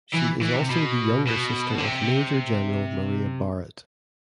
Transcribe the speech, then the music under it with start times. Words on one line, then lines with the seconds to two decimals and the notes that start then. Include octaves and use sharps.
She is also the younger sister of Major General Maria Barrett.
0.14 E3
0.42 E3
0.56 C3
0.70 B2
1.27 B2
1.78 D3
1.84 C3